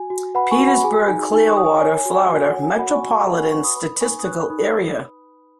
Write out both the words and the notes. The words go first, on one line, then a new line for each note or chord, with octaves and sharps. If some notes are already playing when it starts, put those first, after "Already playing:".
Petersburg-Clearwater, Florida Metropolitan Statistical Area.
Already playing: F#4 G#5
F#4
B4 F#5 B5
G#5 C#6
F#4
F#5 B5
B5
G#4 G#5
D#4 G#5
D#4 G#5
G#5 C#6
C#5 D#6
G#5 C#6
C#5 G#5
G#5
F#4
G#5
F#4 G#5
F#5
C#5
G#5
F#4 F#5 B5
B5
G#5 C#6
F#4
G#5 C#6
B4 F#5 B5
G#5
B4 G#5 C#6
B5 D#6
B4 B5 D#6
D#4 G#5 C#6
D#6
B4 C#6 F#6
D#4 B5 D#6
B4